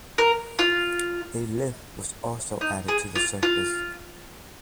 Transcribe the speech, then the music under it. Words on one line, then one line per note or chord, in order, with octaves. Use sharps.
A lift was also added to the surface.
A#4
F4
D#4
G#4
F4
F4